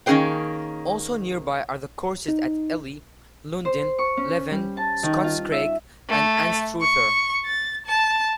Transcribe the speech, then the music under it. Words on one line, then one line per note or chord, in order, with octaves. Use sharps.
Also nearby are the courses at Elie, Lundin, Leven, Scotscraig and Anstruther.
D#3 A#3 C#4 G#4 C5 G5
D#4
C5
C#6
C#4
G3
A5
D#3
F4
E5
A3
C#6
A6
A5